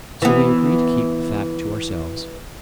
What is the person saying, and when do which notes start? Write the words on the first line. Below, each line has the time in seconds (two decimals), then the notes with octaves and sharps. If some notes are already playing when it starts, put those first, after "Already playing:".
So we agree to keep the fact to ourselves.
0.22 E3 B3